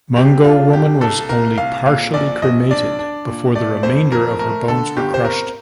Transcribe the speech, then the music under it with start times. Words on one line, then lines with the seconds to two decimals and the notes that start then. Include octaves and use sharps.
Mungo Woman was only partially cremated before the remainder of her bones were crushed.
0.16 C2 G4
0.44 D4 F4
0.73 C2 G4
1.01 C2 A4
1.29 C2 A#4
1.58 C2 F5
1.86 A#2 F5
2.14 A#1 D5
2.42 A#1 D#5
2.71 D4 D5
2.99 D4
3.27 A#2
3.55 A3 D5
3.83 F2 C5
4.12 F2 A#4
4.39 A3 A#4
4.68 D3 A4
4.97 G1 G4
5.14 C5
5.24 C4 A#4